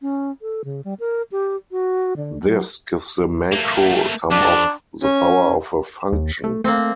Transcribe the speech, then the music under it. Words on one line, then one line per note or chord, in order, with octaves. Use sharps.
This gives the macro some of the power of a function.
C#4
A4
C#3
G3
A#4
G4
F#4
D3
F#3
A3 A#3
F2 D4
C#4
D#2
A3
A3 A#3 C4